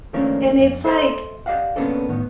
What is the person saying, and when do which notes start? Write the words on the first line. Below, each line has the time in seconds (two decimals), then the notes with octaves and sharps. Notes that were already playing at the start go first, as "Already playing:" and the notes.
and it's like,
0.13 D#3 F3 A3 A#3 C#4 D4
0.58 F2 G#2
0.85 A4 C5 D#5 E5 C6
1.46 G4 D5 D#5 F5 F#5
1.76 C3 A#3 B3 C#4 D4 A4
2.08 A2 D#3 B3